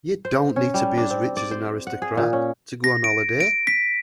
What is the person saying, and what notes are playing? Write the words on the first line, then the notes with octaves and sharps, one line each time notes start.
You don't need to be as rich as an aristocrat to go on holiday.
C5
C#4
G3
D4
C4
D5
C5
F#5
G#4
A#2
C#4
A#6
D7
D7
B6